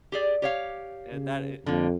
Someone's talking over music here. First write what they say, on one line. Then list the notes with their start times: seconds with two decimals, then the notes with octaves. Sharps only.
And that it
0.12 G4 G#4 D5
0.42 G4 C#5 F5
1.12 C#3
1.66 F2 D3 A#3